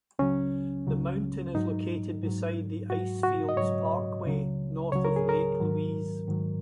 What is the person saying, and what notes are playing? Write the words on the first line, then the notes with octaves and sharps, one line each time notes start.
The mountain is located beside the Icefields Parkway, north of Lake Louise.
C#2 C#3 F#3 C#4
C#2 C#3 F#3
G#2 F#3 D#4
G#2 F#3
G#2 F#3 F#4
F#4
D#5
G#2 F#3 C#5
C#2 C#3 F#3
C#2 C#3 F#3 C#5
A#4
G#4
A#4
G#2 D#3 F#3
G#2 D#3 F#3